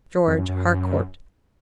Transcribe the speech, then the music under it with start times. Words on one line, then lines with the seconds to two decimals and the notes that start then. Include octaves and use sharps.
George Harcourt.
0.27 F2
0.38 F#2
0.49 F#2